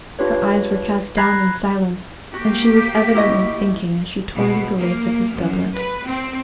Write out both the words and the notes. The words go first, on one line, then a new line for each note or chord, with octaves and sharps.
Her eyes were cast down in silence, and she was evidently thinking as she toyed with the lace of his doublet.
D4 F4 G4 B4 C#5
A#5 B5 F#6 G#6 A#6 C7
A#3 F#4 G4
E4 F#4 D#5
B2
A#3
F#2
B4
C4